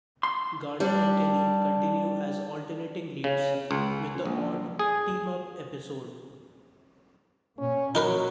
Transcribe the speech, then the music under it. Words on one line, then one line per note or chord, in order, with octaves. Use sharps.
Garner and Kelly continue as alternating leads, with the odd 'team-up' episode.
C6
G3 D4
C#3
C#2
A#1
G#4
A#2 C#4
F#3 D#4 A#4 B4